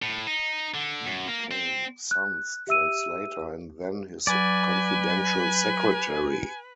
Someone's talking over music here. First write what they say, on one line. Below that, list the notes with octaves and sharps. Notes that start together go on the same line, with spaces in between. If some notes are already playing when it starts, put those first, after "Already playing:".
He became Sun's translator and then his confidential secretary.
A2
D#4
D3
F#2
A#3
C4
F#6
G4 E5 E6 D#7
F#3 B4 D5 G#5